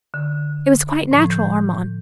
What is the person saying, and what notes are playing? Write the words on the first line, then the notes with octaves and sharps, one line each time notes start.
It was quite natural, Armand.
D3
A2 F3
G6